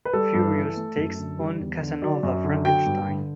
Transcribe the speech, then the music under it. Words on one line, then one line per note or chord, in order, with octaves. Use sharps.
Furious takes on Casanova Frankenstein.
B4
G3 A4
G2
E3
A3
F#2
D3
G3
E2
D3
F#3 D5
F#2
D3
F#3 G5
G2
D3